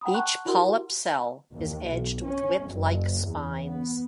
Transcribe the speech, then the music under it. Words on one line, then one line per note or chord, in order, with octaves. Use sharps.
Each polyp cell is edged with whip-like spines.
F#5 G5 A#5 B5 D#6
F#5 A5 A#5 C6 C#6 F#6
E4 F#4 G4 A#4 F#5 C6
D#2
B1
C#4
F#1
E2
B3